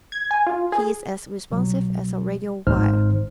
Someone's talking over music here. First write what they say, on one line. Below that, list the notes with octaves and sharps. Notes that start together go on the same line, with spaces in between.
He is as responsive as a radio wire.
G#6
G#5
F4
G#4
C2 B2 F#3
G#1 D#4 C5 F6